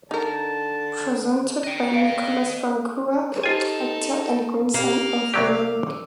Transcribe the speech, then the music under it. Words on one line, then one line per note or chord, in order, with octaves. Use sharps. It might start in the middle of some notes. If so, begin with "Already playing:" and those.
Presented by Nicholas Frankau, actor and grandson of Ronald.
D3 D#4 A#4 A5
D#5 G5
F5 D7
D#4 F4 G4 A4 C5 G#5
A#3 C4 G4 F5
C2 F#3 G4 D5 D6 E6